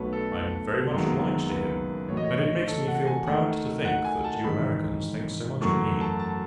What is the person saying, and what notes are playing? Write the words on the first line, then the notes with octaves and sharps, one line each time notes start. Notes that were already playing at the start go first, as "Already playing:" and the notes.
I am very much obliged to him; and it makes me feel proud to think that you Americans think so much of me.
Already playing: B1 B2 F#3 A3 B4 C#5
A4
F#1 F#2 D#3 G#3 B3
B4
A1 A2 F#3 C#5
D#5
C#5
D#5
A4
F#5
G#5
D#2 D#3 A3 F#5
F#5
G#5
A5
A1 G#2 D#3 B5
F#2 E3 A3 C#6
A5
A5